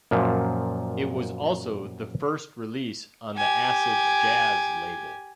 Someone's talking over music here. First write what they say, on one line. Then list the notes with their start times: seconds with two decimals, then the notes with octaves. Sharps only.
It was also the first release on the Acid Jazz label.
0.11 F#2 A#2 F3
3.37 G4 G#5